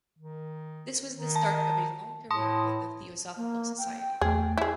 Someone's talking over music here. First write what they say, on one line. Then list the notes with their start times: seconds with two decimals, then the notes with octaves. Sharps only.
This was the start of a long career with the Theosophical Society.
0.19 D#3
1.15 D#3
1.36 A5
2.31 A2 A5 C6 D#6
3.37 A#3
3.78 G5
4.21 E2 A3 G#4
4.58 E4 G#4